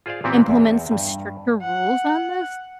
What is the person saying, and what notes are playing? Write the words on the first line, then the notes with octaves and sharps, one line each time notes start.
implement some stricter rules on this?
F4 G#4 C5 D5 F5
A#2 E3 B3 C4 F#4 G4
E2
G2
F#5